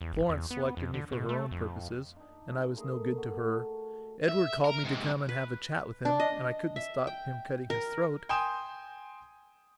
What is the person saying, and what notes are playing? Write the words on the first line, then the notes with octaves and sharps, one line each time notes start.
Florence selected me for her own purposes, and I was no good to her; Edward called me to come and have a chat with him, and I couldn't stop him cutting his throat.
E2
G1
E2
B3
F2
D3
B2
A3
F2
D4 D#4
C#3 G#3
A3 A#3 G#4 A#4
F#4
A4
E5
A#4
G#2 C3
B4
D4
D#5
E5
G5
A#4
G5 G#5 C6 D#6 G6 E7